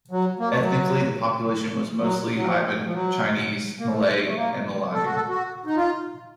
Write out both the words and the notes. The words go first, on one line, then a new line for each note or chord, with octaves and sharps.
Ethnically, the population was mostly Iban, Chinese, Malay, and Melanau.
F#3
A#3
A3
F#3
F#3
F#3
F3
F3
F#3
A#3
A3
A3
A#3
A4
F#4
A4
F#4
D#4
F4